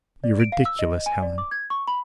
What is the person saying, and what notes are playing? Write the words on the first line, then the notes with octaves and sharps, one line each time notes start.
"You're ridiculous, Helen."
D5
D7
F5
E6
D#5
G#5
D5
D6
G#6
C#6
B5